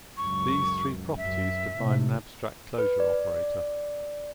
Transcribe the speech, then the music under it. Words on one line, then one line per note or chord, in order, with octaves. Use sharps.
These three properties define an abstract closure operator.
C#2 F#2 C#6
F#2 E5
A2 C3
B4
D5
D5